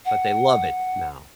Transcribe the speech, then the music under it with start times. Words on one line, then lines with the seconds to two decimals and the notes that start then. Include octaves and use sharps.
But they love it now,
0.06 F#5